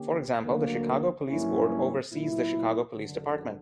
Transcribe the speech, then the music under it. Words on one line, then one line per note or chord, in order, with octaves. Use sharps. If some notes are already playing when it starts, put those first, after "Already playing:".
For example, the Chicago Police Board oversees the Chicago Police Department.
Already playing: D3 A#3 C#4 G4
D2 D3 F#3 A#3
G2 F#3 A#3 C#4 E4
A#2 F#3 B3 E4
F#1 F#2 D3